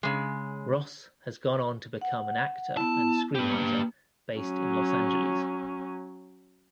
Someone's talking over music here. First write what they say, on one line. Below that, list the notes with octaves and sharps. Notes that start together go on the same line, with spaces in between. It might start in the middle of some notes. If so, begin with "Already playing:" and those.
Ross has gone on to become an actor and screenwriter, based in Los Angeles.
C#3 G#3
F#5
B3 E4 A5
B3 G4 B4
A#3
F#3 C#4